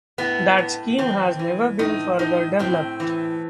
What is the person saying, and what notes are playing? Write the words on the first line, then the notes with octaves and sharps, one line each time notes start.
That scheme has never been further developed.
A2 B3
A2
E3 C4
E3
A2 D#4
A2 D#4
A2 C4
E3